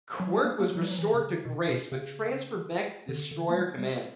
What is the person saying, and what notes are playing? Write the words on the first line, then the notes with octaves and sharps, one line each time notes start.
Quirk was restored to grace, but transferred back to destroyer commands.
F#3
G3
A#3
A#3
F#3
G3
F#3
E3
C#3
D3
B2
B2
C#3
D3
D3
A#3
G3
G3